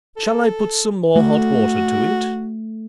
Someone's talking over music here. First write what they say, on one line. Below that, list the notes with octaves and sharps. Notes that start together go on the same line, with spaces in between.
Shall I put some more hot water to it?
A4
A3 F#4